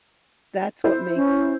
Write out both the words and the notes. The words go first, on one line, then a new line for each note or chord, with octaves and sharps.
that's what makes
E4 C5
C#4